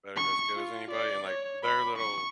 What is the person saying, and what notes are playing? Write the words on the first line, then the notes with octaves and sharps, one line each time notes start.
better as good as anybody, and, like, their little
C#6
F4
D5
C#5
B5
C#6